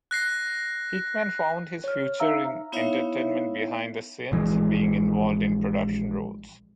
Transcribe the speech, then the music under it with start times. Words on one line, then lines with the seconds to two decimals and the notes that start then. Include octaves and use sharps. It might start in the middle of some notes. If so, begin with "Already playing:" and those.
Hickman found his future in entertainment behind the scenes, being involved in production roles.
0.11 F#6 A#6 C7
1.84 C#5 F6
2.20 D#4 E5 F5 A#5 E6
2.72 B3 D#4 E4 C#5 E5 F5
4.32 A#1 E3 G#3